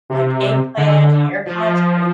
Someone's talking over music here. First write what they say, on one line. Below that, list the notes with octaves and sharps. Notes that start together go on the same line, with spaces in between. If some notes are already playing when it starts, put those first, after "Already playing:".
like eggplant, haircuts, kara
C3
D3
F3